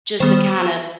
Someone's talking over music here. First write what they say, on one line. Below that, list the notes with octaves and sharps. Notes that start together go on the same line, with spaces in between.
just to kind of
D#3 G3 B3 C5